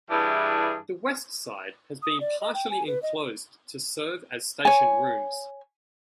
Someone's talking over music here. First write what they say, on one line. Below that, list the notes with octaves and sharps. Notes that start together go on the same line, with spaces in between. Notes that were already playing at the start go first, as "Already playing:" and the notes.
The west side has been partially enclosed to serve as station rooms.
G2 E3 D4 E4 G#4
D#6
D5
D#5
G5
G#5
B4
D#5
C#5 G#5